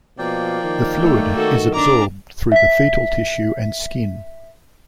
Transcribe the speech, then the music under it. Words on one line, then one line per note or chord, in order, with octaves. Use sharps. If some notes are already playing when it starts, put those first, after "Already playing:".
The fluid is absorbed through the fetal tissue and skin.
B2 F3 A#3 D5 G5
D#3
A3
D#3 F#4 A4
D4 A#5 D6
E5 B6